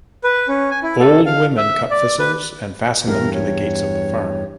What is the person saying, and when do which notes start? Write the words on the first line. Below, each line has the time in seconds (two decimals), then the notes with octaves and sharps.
Old women cut thistles and fasten them to the gates of the farm.
0.24 B4
0.48 C#4
0.71 G#5
0.83 E4
1.00 A4
1.26 F5
1.57 E5
1.91 D5
2.19 B4
3.07 E2 G2 A#4
3.33 C#5